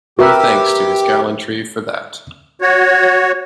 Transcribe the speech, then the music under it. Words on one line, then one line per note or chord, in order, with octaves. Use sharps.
No thanks to his gallantry for that.
F#4 G4 A#4 B4 E5
F#4 C#5